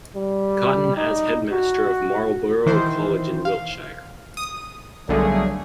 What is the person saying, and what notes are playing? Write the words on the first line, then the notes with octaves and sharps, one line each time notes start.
Cotton as Headmaster of Marlborough College in Wiltshire.
G3
D#4
F#4
D#3 E3 C5
F5
D#6
B1 D3 F#3 G3 A3 A#3 G#4